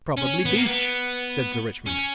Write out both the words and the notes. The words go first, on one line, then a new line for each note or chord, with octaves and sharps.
"Probably beech," said Sir Richmond.
C#4
B3
A#3
B3
C#4